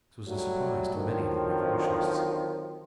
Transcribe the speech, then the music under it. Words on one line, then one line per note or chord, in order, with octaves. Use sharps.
This was a surprise to many of the revolutionists.
F#3 G3 A3
D3 D#3 F3 F#3 C4